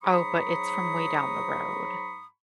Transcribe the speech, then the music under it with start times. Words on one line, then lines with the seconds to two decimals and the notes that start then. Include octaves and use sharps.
Oh, but it's from way down the road.
0.03 G#2 F#3 A#5 B5 C#6 D#6